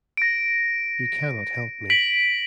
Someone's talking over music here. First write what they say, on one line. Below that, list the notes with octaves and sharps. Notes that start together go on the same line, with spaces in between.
You cannot help me.
A#6 D7
B6 D7 F#7